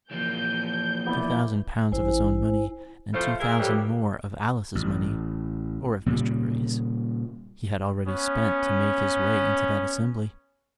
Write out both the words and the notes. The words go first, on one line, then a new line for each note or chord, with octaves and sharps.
Two thousand pounds of his own money, and two thousand more of Alice's money,--or of Mr. Grey's,--he had already spent to make his way into that assembly.
E3 F3 A#3 G6
B3 E4 D5
A1 E4 C5 G#5
A2 F3 A3 F4 C5
G#4 A#4 E5
E3 F3 G3 C#4 G4 A4
A1
A#2 C#3 G3
B3 C#4